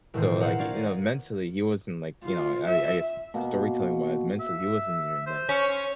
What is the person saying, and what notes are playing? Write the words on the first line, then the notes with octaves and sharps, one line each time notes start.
So, like, you know, mentally, he wasn't, like you know, I I guess, storytelling wise, mentally, he wasn't even, like
E1 A2 D#3 E3 C5
C5 F5 F#5 A#5
C#5 D5 F5
F4
E5
B2 A#3
E5
C5
C#4